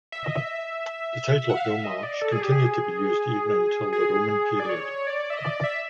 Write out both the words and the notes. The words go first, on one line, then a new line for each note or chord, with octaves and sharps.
The title of nomarch continued to be used even until the Roman period.
E5
D#5
E5
F#5
F5
E5
D#5
D5
A4
G#4
G4
G#4
G#4
D5
C#5
D5
E5
D#5
D5
E5